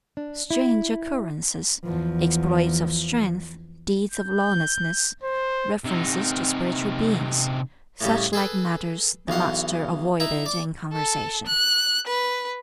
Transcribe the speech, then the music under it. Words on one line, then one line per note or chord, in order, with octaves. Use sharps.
Strange occurrences, exploits of strength, deeds of lawlessness, references to spiritual beings--such-like matters the Master avoided in conversation.
D4
E4
E2 F3
G6
C5
C3 D#4
A2 C#3 G3
G#4 A4 B4
B1 E2 F5 F#5
D#4 E4 E5
D5 D6
A4
F#6
B4